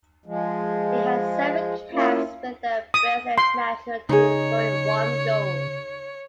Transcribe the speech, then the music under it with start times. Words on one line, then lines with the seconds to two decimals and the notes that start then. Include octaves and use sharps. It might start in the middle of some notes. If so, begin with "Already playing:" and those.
He had seven caps with the Brazilian national team, scoring one goal.
0.26 F3 G#3
1.92 A#3 C#4 E4 F4
2.94 D#6
3.38 C6
4.09 C#3 D#4 G#4 C#5